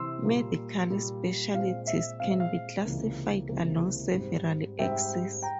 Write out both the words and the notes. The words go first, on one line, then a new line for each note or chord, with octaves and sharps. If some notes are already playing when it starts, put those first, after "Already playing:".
Medical specialties can be classified along several axes.
Already playing: C3 E3 C6 E6
A#2 G3 A#3
A#2 G3 A#3
A#2 G#3 C4 F5
E5
A#2 G#3 C4 F5
E5
F5
C#2 C3 E3 A#3
C#2 C3 E3 A#3
G#2 G3 C4
G#2 G3 C4 E5 G5
G5 A#5